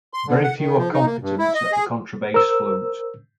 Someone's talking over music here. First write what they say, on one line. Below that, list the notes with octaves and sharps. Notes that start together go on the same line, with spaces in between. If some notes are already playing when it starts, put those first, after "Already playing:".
Very few are competent at the contrabass flute.
C6
D3
F#5
D#3
F3
D#4
A#3
G2
E4
D#5
G#4
A#4 C5 E6